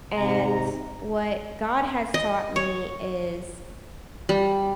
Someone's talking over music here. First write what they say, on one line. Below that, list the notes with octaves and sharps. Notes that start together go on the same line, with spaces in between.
and what God has taught me is
G#2 C3 A#5
D#5
C#5
G3